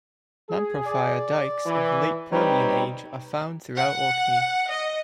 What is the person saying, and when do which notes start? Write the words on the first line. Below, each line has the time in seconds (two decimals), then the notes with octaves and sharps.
Lamprophyre dykes of Late Permian age are found throughout Orkney.
0.50 G#4
0.86 D5
1.65 E3
2.32 G3 C4 D#4 B4 C#5
3.76 F#5
4.69 D#5